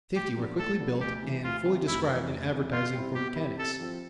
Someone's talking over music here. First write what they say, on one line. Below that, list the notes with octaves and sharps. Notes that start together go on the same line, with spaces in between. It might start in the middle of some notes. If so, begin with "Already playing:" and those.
Fifty were quickly built and fully described in advertising for mechanics.
A2 G4
F3 B3 D4
A2 A4
F3 B3 D4
D2 G4
C3 E3 G3
D2 F4
C3 E3 G3
F1 E4
F2 E3
F1
F2 E3
B2 F4
G3 C4 E4
B2 G4
G3 C4 E4
C3 A4
F3 C4 F4